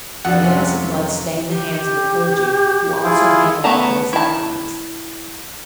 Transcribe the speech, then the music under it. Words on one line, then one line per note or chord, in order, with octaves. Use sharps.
Her innocent blood stained the hands of the clergy, who also handle the Holy Sacraments.
F2 D4 F#4 F#5
C3 C#4
F#3
G4
E4 F4 G#4
A3 B3 A5 A#5
E4 A5